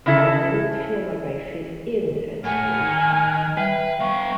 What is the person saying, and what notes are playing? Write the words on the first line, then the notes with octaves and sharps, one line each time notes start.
I didn't feel like I fit in at school.
C#3 E4 A4
A2 F#5 G#5 F6
D#3
F#6
G3 B4 E5 G5
B3 F5 C#6